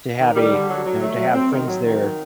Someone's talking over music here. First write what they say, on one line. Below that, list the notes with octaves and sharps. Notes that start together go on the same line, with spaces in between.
to have a know, to friends there.
D#3
G3
D3
F#3
F#3
A3
F#3
C4
D#3
F#3
D#3
F#3